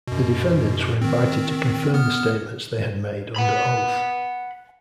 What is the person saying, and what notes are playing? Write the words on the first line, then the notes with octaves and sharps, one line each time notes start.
The defendants were invited to confirm the statements they had made under oath.
F#2 B2
D#3 C4
B3 F6
F#5 B5